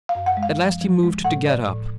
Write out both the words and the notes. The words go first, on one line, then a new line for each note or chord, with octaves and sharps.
At last he moved to get up.
F5
F#2
F#5
G#3
F5
F3
F3
G#3
A2 F#5
A2 D5
A2